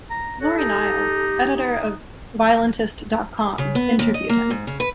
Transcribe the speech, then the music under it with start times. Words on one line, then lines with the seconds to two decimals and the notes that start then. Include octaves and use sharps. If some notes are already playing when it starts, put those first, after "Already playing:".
Laurie Niles, editor of Violentist dot com, interviewed him.
0.10 A#5
0.41 F#4 A4 C#5
0.57 D#4 G4
1.51 D#4
3.58 C#3
3.75 B3
3.99 D#2
4.14 D#5
4.29 A#3
4.50 G#2
4.67 C#3
4.80 B4